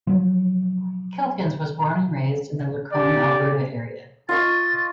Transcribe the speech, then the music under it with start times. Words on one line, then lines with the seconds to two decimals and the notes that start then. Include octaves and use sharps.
Calkins was born and raised in the Lacombe, Alberta area.
0.07 F3 F#3
2.92 G4 D5
4.29 F4 D#5 C#6 A6